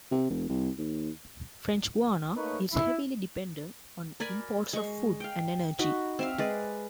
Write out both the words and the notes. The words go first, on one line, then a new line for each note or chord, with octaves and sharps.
French Guiana is heavily dependent on imports of food and energy.
C3
F1
C2
D#2
A3 A#3 D#4 A#4 B4 C#5
E4
A#4 D5 G#5 B5
G#3 C#6
F5 G5
D#4 F#4 B5
C4 E5 F5
G#3 B4 D5